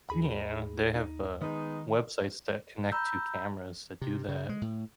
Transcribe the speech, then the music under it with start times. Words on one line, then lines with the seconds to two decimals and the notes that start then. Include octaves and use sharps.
Yeah, they have, uh, websites that connect to cameras that do that.
0.10 D#2 D#4 G#4 B5
0.96 D#4
1.41 D#3 G#3 B3 D#4
2.92 A#5 B5 E6 G6
4.01 C3
4.29 C#3
4.49 G#3
4.62 A2